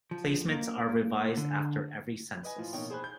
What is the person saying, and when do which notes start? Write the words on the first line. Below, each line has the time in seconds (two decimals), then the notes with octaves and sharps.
Placements are revised after every census.
0.11 F3
0.48 A#3
1.37 D3
2.43 B4 D#5 G#5
2.58 A2 F3
2.73 B2 A#3 D#4 C#5 G5
2.90 G#4 C5 G#5 B5 F#6
3.04 G6